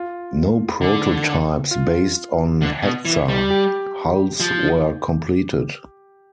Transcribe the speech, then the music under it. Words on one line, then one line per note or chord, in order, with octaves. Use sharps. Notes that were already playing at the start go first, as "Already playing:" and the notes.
No prototypes based on "Hetzer" hulls were completed.
Already playing: F4
D3
F4
D3
B2
E3
G3
G4
F3